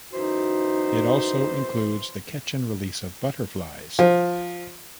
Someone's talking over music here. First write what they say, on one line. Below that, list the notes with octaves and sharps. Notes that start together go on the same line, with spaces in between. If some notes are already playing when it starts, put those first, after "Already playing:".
It also includes the "catch and release" of butterflies.
F#2 E3 D#4 F#4 C5
F3